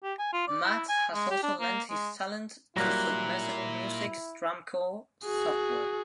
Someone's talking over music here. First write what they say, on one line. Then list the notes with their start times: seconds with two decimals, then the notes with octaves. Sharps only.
Matt has also lent his talents to Submersible Music's DrumCore software.
0.04 G4
0.19 G#5
0.33 F4
0.48 D5
0.64 E4
0.89 G#5
1.14 G#3
1.31 G4
1.43 D4
1.60 A#3
1.90 G#3
2.77 A#2 F#3 G3 A#3 E4 A#5 F#6 A#6
5.25 F#4 G#4